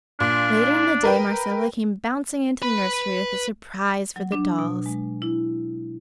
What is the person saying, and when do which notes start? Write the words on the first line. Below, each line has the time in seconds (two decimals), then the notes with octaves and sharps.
Later in the day Marcella came bouncing into the nursery with a surprise for the dolls.
0.20 A#2 D4
1.04 A#4 B4 G5
2.62 B4 B5
4.16 F#3
4.32 D4
4.59 B2
4.86 G#3
5.22 E4